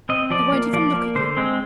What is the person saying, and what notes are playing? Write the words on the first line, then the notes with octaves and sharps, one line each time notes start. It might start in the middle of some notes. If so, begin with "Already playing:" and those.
I won't even look at you.
C4 D#5
F3 D5
A#3
F3 D5
A#3
D3 C5
G#3 C4